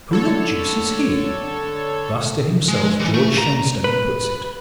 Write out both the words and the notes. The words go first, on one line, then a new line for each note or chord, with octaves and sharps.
"Who the deuce is he?" Thus to himself George Shenstone puts it.
D3 A4 C#5
G#3
E3
A3
A#5
B4